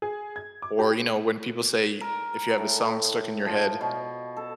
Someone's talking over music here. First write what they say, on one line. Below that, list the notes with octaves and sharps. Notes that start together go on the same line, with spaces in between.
Or, you know, when people say, "If you have a song stuck in your head,
G#4
G#6
D6
G4
A#4
A2
F3
B2
A4